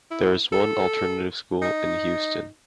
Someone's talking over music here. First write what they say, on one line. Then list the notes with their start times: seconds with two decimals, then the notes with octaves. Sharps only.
There is one alternative school in Houston.
0.11 E4
0.53 A4
1.62 D#4